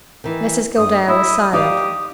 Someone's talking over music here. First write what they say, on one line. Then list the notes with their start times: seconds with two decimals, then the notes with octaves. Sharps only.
Mrs Gildea was silent.
0.24 D#3 E3
0.77 G2 D#6
1.08 D#4 E4 D#6
1.53 D#4 G4 D5 F5 D#6